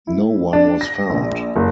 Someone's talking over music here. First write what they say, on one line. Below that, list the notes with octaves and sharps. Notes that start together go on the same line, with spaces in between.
No one was found.
E4
D4
A#6
A#1
F#1